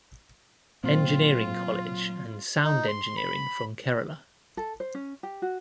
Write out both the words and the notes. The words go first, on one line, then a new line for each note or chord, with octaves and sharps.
Engineering College and Sound Engineering from kerala.
A#2 F#3 C4 F4
D#4
C6
B5
A4
C5
C#4
G4
F#4